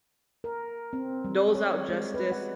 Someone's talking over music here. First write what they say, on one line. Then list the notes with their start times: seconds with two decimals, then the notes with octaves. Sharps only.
doles out justice,
0.44 A#4
0.93 C4
1.24 G3
1.55 C#5
1.89 G#3
2.14 B4
2.32 F#5